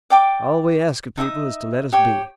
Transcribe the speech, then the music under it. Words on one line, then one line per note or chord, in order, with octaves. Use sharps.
All we ask of people is to let us be.
D5 G5 D6
D#4 E5 G5 D#6
G4 C#5 G5